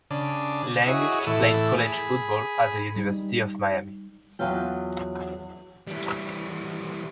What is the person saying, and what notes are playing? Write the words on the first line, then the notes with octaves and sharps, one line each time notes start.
Lang played college football at the University of Miami.
C#3 D4 A5
E4 F#4 G#4 C#5 D#5
A2 E3 E4 A4
G#4 B5
G3 D#4
E2 F#3 F4 F5 G5
E3 G3